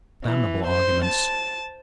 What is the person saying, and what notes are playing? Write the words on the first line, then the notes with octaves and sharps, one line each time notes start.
Damnable arguments!
E3
C5
A5